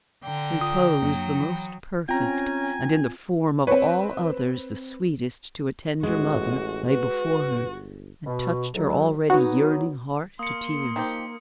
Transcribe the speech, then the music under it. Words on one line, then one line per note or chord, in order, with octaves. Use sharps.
Repose the most perfect and in the form of all others the sweetest to a tender mother, lay before her and touched her already yearning heart to tears.
D3 G5 A#5
F4 D#6
F#2 F#3 A#3 D4
E3 B5
C4 C#4 F4 G5 G#5 A#5
C4 B4 C#5
A1 G#3 F#4
F#4 B4
G1
B2
D2 G#2 F#3
F#3 B3 D#4 F#4
A#3 C6 D#6 C#7
D#3 F3 G4